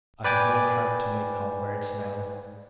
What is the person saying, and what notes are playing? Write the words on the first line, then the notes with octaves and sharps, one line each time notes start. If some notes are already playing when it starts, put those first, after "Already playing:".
I have no heart to make converts now....
B4 D5 G5 G#5 D6